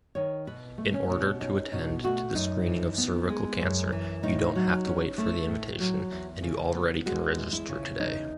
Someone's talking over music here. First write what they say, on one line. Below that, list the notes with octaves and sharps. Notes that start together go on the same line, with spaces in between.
In order to attend to the screening of cervical cancer, you don’t have to wait for the invitation and you already can register today.
D#3 C#5
B2 B4
A3
C#4
B2
C#4 D#4
B2 D#4
A3 F#4
F#2 D#4
E3
B3
G#3
F#2
E3
A2 D#4
F#3
C#4
A3
A2
F#3
E2
C#3
B3
G#3 F#4
E2
E4
C#3
E2 D#4